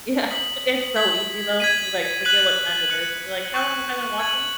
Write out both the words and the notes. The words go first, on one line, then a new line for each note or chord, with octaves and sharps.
Yeah. It's so easy, though. You, like, forget what time it is, you're like, "How long have I been watching?"
D#6 B6 F#7
G#6 B6 F#7
G#6 B6 D#7
F#6 B6 D#7 F#7
F#6 C#7 F#7
C#6 F#6 D#7 F#7
G#6 D#7 F#7